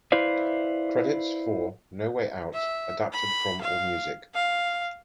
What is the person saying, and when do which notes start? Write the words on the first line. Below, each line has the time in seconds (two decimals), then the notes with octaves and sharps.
Credits for "No Way Out" adapted from Allmusic.
0.12 E4 B4 C5 D5 E5 F5
2.53 E5
3.12 B5
3.62 F5
4.34 F5